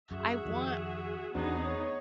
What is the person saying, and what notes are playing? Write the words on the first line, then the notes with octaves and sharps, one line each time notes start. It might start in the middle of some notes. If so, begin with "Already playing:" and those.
I want
F#2 F#4 G#4 E5
F2 D#3
E2 A3 B3 C4 D4 D#4 F#4 G#4
C#5